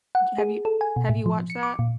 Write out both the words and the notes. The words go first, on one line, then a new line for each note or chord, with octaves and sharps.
Have you have you you watched that?
F#5
G#4
A4
G#5
B2
A2
F3
C#7
D6
A#2